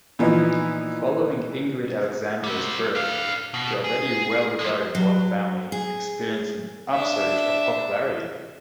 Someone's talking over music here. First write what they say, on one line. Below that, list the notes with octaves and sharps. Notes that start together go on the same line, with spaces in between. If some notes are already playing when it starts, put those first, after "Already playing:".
Following Ingrid Alexandra's birth, the already well-regarded royal family experienced an upsurge of popularity.
A#2 E3 F3 B3 D#4
G3 C4
D4 F5
B2
G#4
F3 G#3
F#3
G#4
D4 E5